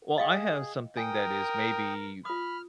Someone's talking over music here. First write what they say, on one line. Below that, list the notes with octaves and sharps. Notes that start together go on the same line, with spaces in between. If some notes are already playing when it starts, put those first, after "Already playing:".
Well, I have something that is maybe,
G#4 D#5 F5 G5
A#4 G5 G#5 D#6
F4 B5 D#6 F6